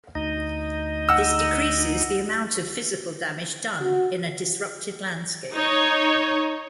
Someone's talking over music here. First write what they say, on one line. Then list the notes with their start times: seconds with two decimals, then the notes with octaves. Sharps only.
This decreases the amount of physical damage done in a disrupted landscape.
0.15 D2 D#4 D#5
1.09 F#5 E6
3.81 F#4
5.52 D#4 C#5